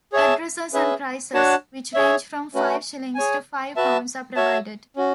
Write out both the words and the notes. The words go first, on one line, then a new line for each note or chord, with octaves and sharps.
Addresses and prices, which range from five shillings to five pounds, are provided.
G#4 C#5 E5 A5
C#4 G#4 B4 E5
D4 F#4 C#5 F#5 A5
G#4 C#5 E5
A3 C#4 F#4 B4
G#4 C#5 G#5
F#4 B4 E5 A5
F#4 C#5 E5 A5
C#4 F#4